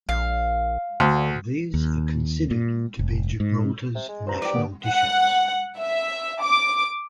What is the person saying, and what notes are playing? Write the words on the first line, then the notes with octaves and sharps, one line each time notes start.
These are considered to be Gibraltar's national dishes.
A#1 F5
D2 D3
D#2
A#2
F1
G#2
C3
G#3
G2 C5 A#5
G4 D5
D3 A#3 B3
F#5
E5
D6